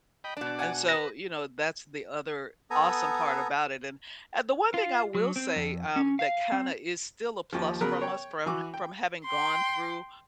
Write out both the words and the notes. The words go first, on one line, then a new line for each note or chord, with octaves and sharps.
And so, you know, that's the other awesome part about it. And, uh, the one thing I will say, um, that kinda is still a plus from us from h from having gone through
D#5 G5 B5
B2 D4 D5
F#5 G#5
B4 A#6
B3 A4 G#5 A#5 D#6
F4
F#3
C4
F2
C#4
F5
C4
D#2 F3
C#3 F#3 B3 A#4 B4
C#5 G5
E3 F#4 C#6 D6
G5
G5 C6